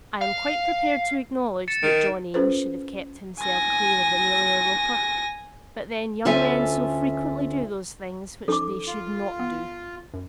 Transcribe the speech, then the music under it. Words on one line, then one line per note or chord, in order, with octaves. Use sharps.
I am quite prepared to acknowledge that John Eames should have kept himself clear of Amelia Roper; but then young men so frequently do those things which they should not do!
F5
A6 C#7 E7
D#3 C#7 D7
C#4 F4 A4 B4 C5
G#5 A#6
D2 C#4 F4 A4 E5 G#5
F3 C#4 D#4 A4 D6
F4
B3
F#2